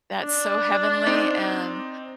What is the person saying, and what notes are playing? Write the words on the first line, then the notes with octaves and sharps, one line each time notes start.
That's so heavenly and,
D4
C4 D#4